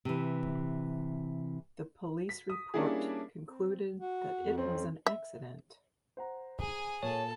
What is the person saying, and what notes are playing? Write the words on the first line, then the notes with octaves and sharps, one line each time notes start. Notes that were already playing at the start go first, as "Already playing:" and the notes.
The police report concluded that it was an accident.
C3 E3
B6
D#6
G3 A#3 C#4 D4 E4 G#4
C4
F#4
F2
C4 C#4
E5
C5 F#5 A#5
G#4 G#5
A#2 A4 C#5 A5